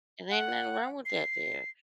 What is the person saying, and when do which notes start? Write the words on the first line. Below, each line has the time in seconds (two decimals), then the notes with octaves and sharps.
And ain't nothing wrong with that there.
0.30 F#5
1.05 C7